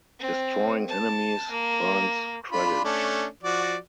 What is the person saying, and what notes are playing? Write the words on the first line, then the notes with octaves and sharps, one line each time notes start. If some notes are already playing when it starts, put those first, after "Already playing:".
Destroying enemies earns credits.
C4
A5
A#3
D4 F4 B5
A3 C#4 D4
F3 F#4 D5